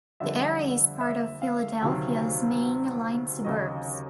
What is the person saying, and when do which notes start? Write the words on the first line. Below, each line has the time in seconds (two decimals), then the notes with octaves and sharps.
The area is part of Philadelphia's Main Line suburbs.
0.20 F2 D3 G3 E5
1.01 E5
1.42 F5
1.82 D2 C3 D#3 F#3
3.44 D#2 C#3 F#3 D#5